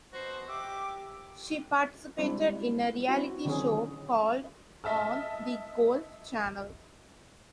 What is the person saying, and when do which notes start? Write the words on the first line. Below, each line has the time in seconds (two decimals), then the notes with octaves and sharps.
She participated in a reality show called on the Golf Channel.
0.13 B2 F#4 C5
0.48 G4 E5 D6
2.18 G3 G#3 C4 D4 E4
3.08 C4 E4 F#4
3.45 D3 D#3 F#3 C4 C#4 G#4
4.84 D#5 E5 A5 F6